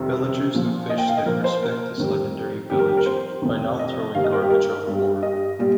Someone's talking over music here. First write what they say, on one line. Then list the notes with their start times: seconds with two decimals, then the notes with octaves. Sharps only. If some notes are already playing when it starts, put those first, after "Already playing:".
Villagers who fish there respect this legendary village by not throwing garbage overboard.
Already playing: F2 C3 D#3 G3
0.54 A#2 F3
0.90 D#5
0.98 G5
1.08 F5
1.17 D#5
1.25 A#2 F3 A#4
1.44 C5
1.63 A#4
1.98 F2 D#3 G3
2.70 F2 D#3 G3 G4
2.79 A#4
2.88 G4
2.97 A#4
3.06 C5
3.42 F2 C3 D#3
3.79 D#5
4.15 G2 D#3 G3 F5
4.24 D#5
4.33 A#4
4.42 G4
4.50 A#4
4.87 G2 G3
5.23 D#5
5.59 A#2 G3